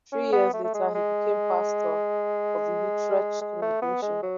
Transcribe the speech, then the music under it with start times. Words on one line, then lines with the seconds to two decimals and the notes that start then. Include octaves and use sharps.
Three years later he became pastor of the Utrecht congregation.
0.12 C#4
0.32 B3
0.54 A3
0.64 A3
0.74 G#3
0.95 G#3
3.41 G#3
3.62 A3
3.82 B3
4.02 G#3
4.23 F#3